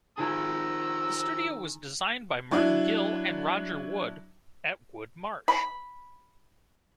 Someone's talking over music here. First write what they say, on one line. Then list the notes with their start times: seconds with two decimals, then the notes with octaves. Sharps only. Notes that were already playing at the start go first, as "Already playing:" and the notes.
The studio was designed by Martin Gill and Roger Wood at Wood Marsh.
0.18 D#3 F3 G#4 A#5 E6
2.51 F#3 D4 E4
5.48 B5